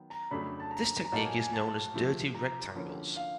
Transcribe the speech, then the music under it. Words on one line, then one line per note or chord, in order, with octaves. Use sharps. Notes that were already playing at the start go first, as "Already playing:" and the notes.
This technique is known as dirty rectangles.
Already playing: D#3 F#3 B3
A#5
F2 C#3 F#3 A3 D4 B5
A5
A#5
A#5
A#2 F#3 A#3 D#4 F#4 A5
G#5
G#5
A5
C3 F3 A3
A#5
D3 F3 A#3 C#4 E4
F5